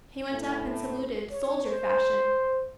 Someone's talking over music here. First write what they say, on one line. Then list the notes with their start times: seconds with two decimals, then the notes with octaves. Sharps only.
He went up and saluted, soldier-fashion.
0.29 A2
1.30 C#5
1.64 C5